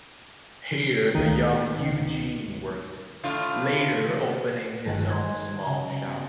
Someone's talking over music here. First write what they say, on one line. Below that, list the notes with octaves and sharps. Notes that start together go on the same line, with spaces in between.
Here the young Eugene worked, later opening his own small shop.
C#2 D#3
A2 C#3 F4
G1 D#3 F#3 G#4 B4 F#5
F#5 G#5 C6 E6
C#3
B3 G#4